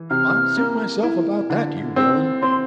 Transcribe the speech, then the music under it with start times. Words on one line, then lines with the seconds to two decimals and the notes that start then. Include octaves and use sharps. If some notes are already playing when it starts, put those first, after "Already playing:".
"I'll suit myself about that, you villain!"
Already playing: E3
0.10 C3 F6
0.57 A#3
1.03 E4
1.50 D3
1.96 C4 E6
2.42 C4 C6